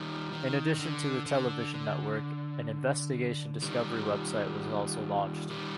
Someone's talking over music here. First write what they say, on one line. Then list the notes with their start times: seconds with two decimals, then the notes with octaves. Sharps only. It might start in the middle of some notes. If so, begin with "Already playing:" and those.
In addition to the television network, an Investigation Discovery website was also launched.
Already playing: D#3 G3
0.32 D#3
0.74 D#3
0.79 D3
1.26 D3
1.74 D3
3.62 D#3 G3
5.50 D#3 G3